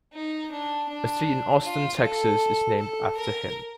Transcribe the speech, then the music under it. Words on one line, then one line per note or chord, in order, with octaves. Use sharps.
A street in Austin, Texas is named after him.
D#4
D4
D4
F4
A4
A4
A#4